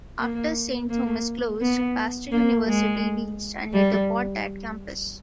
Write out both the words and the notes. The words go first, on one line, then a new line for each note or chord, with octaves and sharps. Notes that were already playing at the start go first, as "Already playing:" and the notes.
After Saint Thomas closed, Bastyr University leased and later bought that campus.
A#3
A#3
B3
A#3
G#3
G3